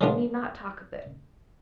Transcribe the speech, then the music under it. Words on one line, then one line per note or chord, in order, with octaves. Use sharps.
You need not talk of this.
F#3 G#3 B3 D4 F4